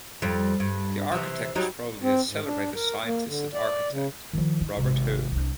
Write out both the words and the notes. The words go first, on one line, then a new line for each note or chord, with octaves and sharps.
The architect was probably the celebrated scientist and architect, Robert Hooke.
F2 G3
G2
C3 E3
F#3 G3 D#4
C4
G#2
D4
A#4
A#3
D3
D5
C#3
D#3 F3
E4
G#1 C3
C2 D4